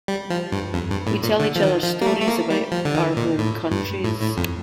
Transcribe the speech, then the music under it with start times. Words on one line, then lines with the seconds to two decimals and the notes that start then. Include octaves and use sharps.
We tell each other stories about our home countries.
0.08 G3
0.30 F3
0.52 G2
0.74 F2
0.91 G2
1.07 A2
1.23 A#2
1.40 D3
1.55 F3
1.63 D#3
1.84 F3
2.02 A#3
2.06 A3
2.21 A3
2.28 A#3
2.50 G3
2.72 F3
2.85 D3
2.95 D#3
3.17 A#2
3.38 A2
3.71 G2
4.04 A2
4.22 A2
4.37 F2